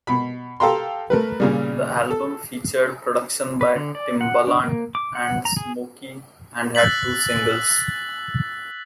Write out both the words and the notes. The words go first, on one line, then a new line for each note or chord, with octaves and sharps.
The album featured production by Timbaland and Smokey and had two singles.
B2 B5
G4 A4 F5 G5 A#5 C6
A3 A#4 B4
A#2 C#3 G3
A4
B4
D3
D5
F#5
D4
A#3
D6
F#5
A#5
G#4
E6 F#6 A6 B6 F#7